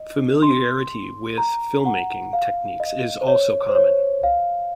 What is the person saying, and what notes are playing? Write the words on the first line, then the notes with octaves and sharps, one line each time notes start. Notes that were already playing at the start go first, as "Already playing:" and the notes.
Familiarity with film-making techniques is also common.
Already playing: D#5
C6
A#5
F#5
F5
D#5
C5
C#5
C5
C#5
F5